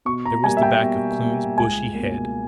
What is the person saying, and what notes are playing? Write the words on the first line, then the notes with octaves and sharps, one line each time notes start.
There was the back of Kloon's bushy head.
B2 C#6
A#5
G3 A#3 G#5
E5
G5
B2
G3 A#3
C#2 G#5
A#3
B2